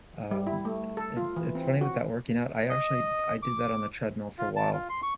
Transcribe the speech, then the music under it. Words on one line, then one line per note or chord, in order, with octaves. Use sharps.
Um, i it's it's funny with that working out, I actually I did that on the treadmill for a while.
G3
E4
A3
A4
F4
E3
C4
F#4
D#5
D6
F4
A5
F4
C6
C#6